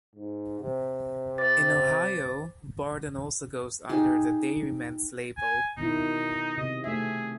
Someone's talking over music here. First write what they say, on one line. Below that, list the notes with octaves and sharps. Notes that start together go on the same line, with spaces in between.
In Ohio, Borden also goes under the Dairymens label.
G#2
C3
C5 D6 A6
D#4 G4 G#4
G#5
B2 D#3 D#4 E4
C3 D#5
A3 G#4 E5